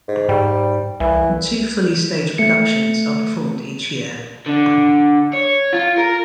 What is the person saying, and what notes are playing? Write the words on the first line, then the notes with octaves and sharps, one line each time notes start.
Two fully staged productions are performed each year.
G#2
G#2 G3
C2 E3
A3 C#7
D3
C#5
F4
A#4